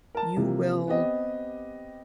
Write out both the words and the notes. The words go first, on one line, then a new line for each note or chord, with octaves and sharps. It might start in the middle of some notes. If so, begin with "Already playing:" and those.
you will
A#4 A5
C3 E3 F3 A#3
B3 C4 G4 D#5